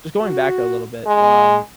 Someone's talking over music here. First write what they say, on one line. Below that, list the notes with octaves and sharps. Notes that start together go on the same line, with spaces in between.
just going back a little bit, um,
F#4
G#3